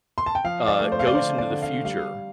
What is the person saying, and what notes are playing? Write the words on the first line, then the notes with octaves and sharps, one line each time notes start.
uh, goes into the future
C6
A5
G5
F3 F5
D5
A3
C5
F5
D5
D3 C5
D5
D3
F5
G3 F5